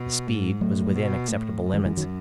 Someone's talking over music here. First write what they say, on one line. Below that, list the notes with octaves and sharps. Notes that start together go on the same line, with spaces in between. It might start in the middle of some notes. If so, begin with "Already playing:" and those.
The speed was within acceptable limits.
Already playing: B2
G#2
A2 F#3 A3
B2
A2
F#2
E3 G#3
E3 G#3
D#3 F#3